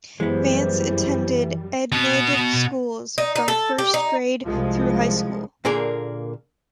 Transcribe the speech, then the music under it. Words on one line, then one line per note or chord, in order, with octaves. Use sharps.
Vance attended Enid schools from first grade through high school.
F#2 E3 G3 G#3 B3 C5
B2 B3
D#4
D#4
A4
G4
D#4
C2 F3 G#3
A#2 D3 A#3 G#4 A#4